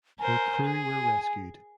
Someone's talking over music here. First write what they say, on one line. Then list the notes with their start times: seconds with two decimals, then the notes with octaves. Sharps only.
Her crew were rescued.
0.19 A#4 C5 G#5
0.63 G#4